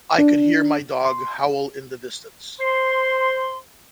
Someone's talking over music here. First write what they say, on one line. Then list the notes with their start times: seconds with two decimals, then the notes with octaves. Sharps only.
I could hear my dog howl in the distance.
0.19 D4
1.05 C6
2.60 C5 C6